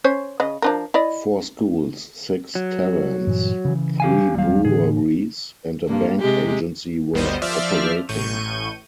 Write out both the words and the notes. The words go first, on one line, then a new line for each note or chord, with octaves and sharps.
Four schools, six taverns, three breweries and a bank agency were operating.
C#4 C5 C#5
C#3 D#5
F3 D4 A#4
E4 D5 D#5
F#3
G2 A#2 E3
C#3 E3
G4 F5 G#5
D#1 F#3 G3 F5
A2 D3 E3 G#4
G2 A#3
C3 G#3 G4
G1 D2 G3 B3 C5 D#5
F3 C5 D5 E5 F6
A1 A2 C#6 G6 D#7